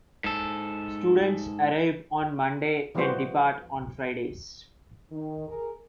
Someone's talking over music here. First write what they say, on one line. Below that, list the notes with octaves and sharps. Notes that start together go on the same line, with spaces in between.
Students arrive on Monday and depart on Fridays.
G#2 A4
E3 F3 G3 B3 F#4 C5
D#3
G#4 A#4